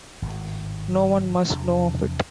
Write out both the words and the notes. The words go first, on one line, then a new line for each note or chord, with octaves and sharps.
No one must know of it.
G#1 A2
E2 C3 F3 D4